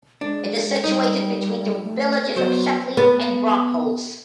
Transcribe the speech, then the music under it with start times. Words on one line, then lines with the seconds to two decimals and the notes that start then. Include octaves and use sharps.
It is situated between the villages of Shepley and Brockholes.
0.21 G#3 D4
0.84 G3 D#4
1.83 A3
2.36 F#3 B3 C5
2.97 B3